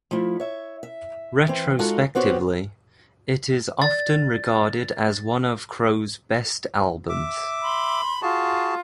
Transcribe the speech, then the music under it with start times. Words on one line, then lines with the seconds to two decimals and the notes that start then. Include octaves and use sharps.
Retrospectively, it is often regarded as one of Crow's best albums.
0.11 F3 A3 E4
0.40 C#5 E5
0.83 E5
1.48 E3 C4
1.79 G#3 D#4 F4 F#4 A4
2.15 B3 C4 F#4 G4 C#5
3.82 D5 A6
7.09 E5 D6
7.62 B5 C6
8.22 F4 F#4 G#4 A5